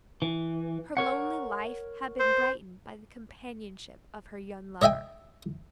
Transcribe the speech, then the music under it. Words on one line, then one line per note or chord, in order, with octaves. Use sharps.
Her lonely life had been brightened by the companionship of her young lover.
E3
A#4 C#5 F#5
C5
C#5 D#5 E5 G5 G#5